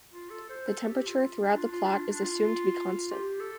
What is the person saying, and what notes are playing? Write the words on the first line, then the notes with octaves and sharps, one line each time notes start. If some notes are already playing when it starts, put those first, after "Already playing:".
The temperature throughout the plot is assumed to be constant.
F4
A4
C5
A4
G4
F4
D4
F4
F4
D4
F4
D4
F4
G4
A4